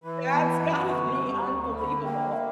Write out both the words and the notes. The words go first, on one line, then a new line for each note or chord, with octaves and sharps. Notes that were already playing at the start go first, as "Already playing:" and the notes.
That's gotta be unbelievable.
E3 B5
B3
F#2
D3 C#6
G3
D2
D3 B5
A#3 G5
E5